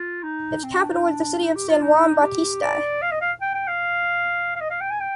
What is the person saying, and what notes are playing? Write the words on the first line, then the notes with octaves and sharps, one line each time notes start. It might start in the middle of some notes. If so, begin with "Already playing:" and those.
Its capital is the city of San Juan Bautista.
Already playing: F4
D#4
C4
D4
D#4
D4
D#4
G4
F4
D#4
G4
D5
F5
D#5
F5
G5
G5
F5
F5
D#5
F5
G5
G#5
G5